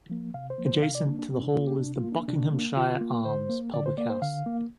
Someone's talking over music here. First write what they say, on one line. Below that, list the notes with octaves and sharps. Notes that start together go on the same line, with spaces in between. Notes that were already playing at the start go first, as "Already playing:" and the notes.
Adjacent to the hall is the "Buckinghamshire Arms" public house.
F3 A#3
C3 F5
C5
F3 A#3
C5
C3 F5
D5
A#3 D4
D4
C3 C4
D4
A#3 F4
G4
C3 D4
F4
A#3
D4
C3 D4
A#3
D3 F4
A#3
D3 C5
A#3
D3 D5
C5
A#3 D5
C5
D3 F5
A#3